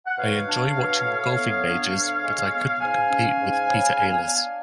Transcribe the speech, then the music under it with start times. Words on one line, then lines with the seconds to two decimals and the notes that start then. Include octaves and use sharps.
I enjoy watching the golfing Majors but I couldn't compete with Peter Alliss.
0.07 F#5
0.18 B2 C#5 F5
0.47 D4
0.77 B2
1.06 A2
1.36 B3
1.64 D4
1.94 D2
2.22 G#3
2.51 B3
2.80 G#2 F5 G#5
3.10 C#4
3.39 G#2
3.68 C#3
3.97 B3
4.27 D4